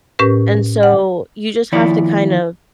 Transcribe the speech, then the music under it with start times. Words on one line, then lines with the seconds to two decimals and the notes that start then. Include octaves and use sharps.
And so, you just have to, kind of,
0.19 A2 C#4 G4 A#4 B4
0.83 F#5
1.72 D#2 F3 E4 C#5 D5